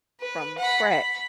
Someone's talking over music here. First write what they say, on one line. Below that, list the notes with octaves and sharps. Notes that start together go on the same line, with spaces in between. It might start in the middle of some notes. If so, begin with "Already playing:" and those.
from scratch.
B4
F#5 B5
B5